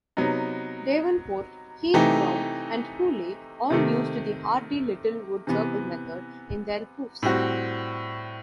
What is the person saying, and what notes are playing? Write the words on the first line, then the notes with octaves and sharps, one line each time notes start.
Davenport, Heath-Brown and Hooley all used the Hardy-Littlewood circle method in their proofs.
C3 F#3 B3 D#4
C3 E3 A3 D#4 G4
C3 D#3 A3
C3 E3 B3
A2 G3 C4 F#4